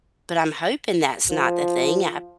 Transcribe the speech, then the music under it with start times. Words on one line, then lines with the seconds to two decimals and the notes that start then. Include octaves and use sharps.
but I'm hoping that's not the thing, I
1.30 F3